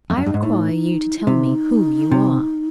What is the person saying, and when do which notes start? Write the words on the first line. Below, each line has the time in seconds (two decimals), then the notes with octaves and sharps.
I require you to tell me who you are.'
0.10 F2
0.17 F#2
0.26 G2
0.34 G#2
0.42 A2 D#4
1.19 E4
1.27 C3 D#4
2.11 C3